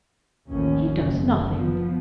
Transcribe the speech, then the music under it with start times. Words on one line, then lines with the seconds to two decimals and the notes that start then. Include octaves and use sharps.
He does--nothing.
0.50 A1 D#2 F3 C#4
1.01 F#1
1.55 F3 B3